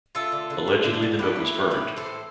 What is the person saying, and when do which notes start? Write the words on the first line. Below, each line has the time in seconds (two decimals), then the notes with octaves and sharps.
Allegedly, the note was burned.
0.15 A3 F4 A4
0.32 D3
0.50 D3
0.68 A3
0.84 D3
1.02 D3
1.19 A2 G4 B4
1.36 E3
1.54 A2
1.70 A2 G4 B4
1.88 E3
1.96 A4 C5
2.06 A2